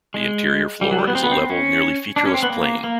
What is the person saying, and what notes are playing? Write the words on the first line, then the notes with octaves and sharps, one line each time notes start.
The interior floor is a level, nearly featureless plain.
G#3
G3
F#3
G3
B3
C4
B3
C4
C#4
D4
C#4
C4
B3
A#3
A#3